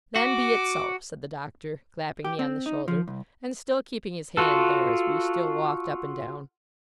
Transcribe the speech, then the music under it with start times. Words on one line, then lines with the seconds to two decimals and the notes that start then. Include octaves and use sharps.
'Then be it so,' said the Doctor, clapping me on the shoulder, and still keeping his hand there, as we still walked up and down.
0.16 F#4 D6
2.24 G4
2.39 C4
2.66 D#4
2.88 F3
3.08 C2
4.37 F4 F#4 A4